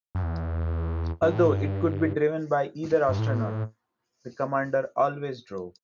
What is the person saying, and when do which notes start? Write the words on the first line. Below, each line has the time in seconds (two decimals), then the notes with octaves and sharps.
Although it could be driven by either astronaut, the Commander always drove.
0.15 F#2
0.23 E2
1.22 G2
1.35 A2
1.48 G2
3.09 G2
3.19 A2